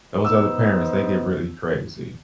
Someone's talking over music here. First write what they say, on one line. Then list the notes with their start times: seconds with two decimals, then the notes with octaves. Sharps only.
those other parents, they get really crazy.
0.25 B3 D#4 C5 E6